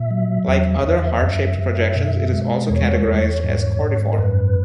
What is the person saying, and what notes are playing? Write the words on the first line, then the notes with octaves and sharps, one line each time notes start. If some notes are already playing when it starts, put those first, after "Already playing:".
Like other heart-shaped projections, it is also categorized as cordiform.
Already playing: A#2 E5
F#3
E2
E2
F#2
F#2
B2
G#3
E2 C#5
E2
G#2
G#2
A#4
F#2 B4